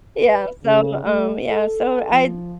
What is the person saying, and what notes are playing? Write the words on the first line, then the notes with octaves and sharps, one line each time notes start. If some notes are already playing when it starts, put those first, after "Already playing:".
Yeah, so, um, yeah, so, I'd
B4
C#3
A3
A4
F3